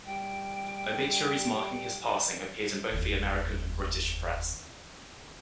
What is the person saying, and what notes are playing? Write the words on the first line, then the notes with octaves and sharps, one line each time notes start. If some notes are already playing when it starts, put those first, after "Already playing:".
Obituaries marking his passing appeared in both the American and British press.
G3 G5
F1 D#2